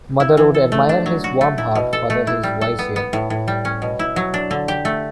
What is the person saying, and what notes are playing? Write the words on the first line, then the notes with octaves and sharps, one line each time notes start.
Mother would admire his warm heart, father his wise head.
E4
E3
A4
A3
D4
F#3
F#4
A3
E4
B2
A4
A3
E4
G3
A4
B3
B3
A2
A2
G3
C#4
B2
E4
F#3
D4
D3
G4
A3